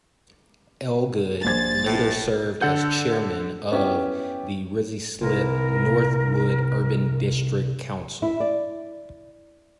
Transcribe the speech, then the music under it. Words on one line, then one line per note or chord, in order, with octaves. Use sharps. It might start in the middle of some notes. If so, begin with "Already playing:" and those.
Elgood later served as chairman of the Ruislip-Northwood Urban District Council.
A#1 C5 G#6 A6
A2
D3 A4 F#5 G6
B3 C#4 E4 G4
C2 A#4 B4
E4
D5